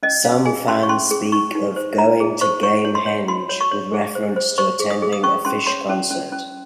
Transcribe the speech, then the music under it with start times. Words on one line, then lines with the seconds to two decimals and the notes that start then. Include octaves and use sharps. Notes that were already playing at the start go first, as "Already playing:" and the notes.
Some fans speak of "going to Gamehendge" with reference to attending a Phish concert.
0.03 C#4 D#5
0.24 C#4 F5
0.45 G#4 G#5
0.68 C#4 C6
0.83 C#6
0.89 C#4 C6
1.11 G#4
1.32 D#4 C#6
1.55 D#4
1.76 C5
1.98 D#4 A#5
2.20 G#4
2.41 C5 C#6
2.63 C#5 C#6
2.85 C#5
2.95 C6
3.06 C#5
3.28 F#4 C6
3.49 C#5
3.61 C#6
3.71 C#5
3.94 G#4
4.15 C5
4.36 C5
4.58 C5 C#6
4.80 G#4
4.90 D#6
5.02 G#4
5.13 D#6
5.23 C#4 C#6
5.45 C#4 C6
5.66 C#5 C6
5.89 C#4
6.10 C#4
6.32 C#4